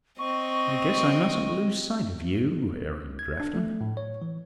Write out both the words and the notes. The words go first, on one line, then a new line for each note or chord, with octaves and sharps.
I guess I mustn't lose sight of you, Aaron Grafton.
C4 D#5 C#6
G#6
D4
A3
A2
C#5
E3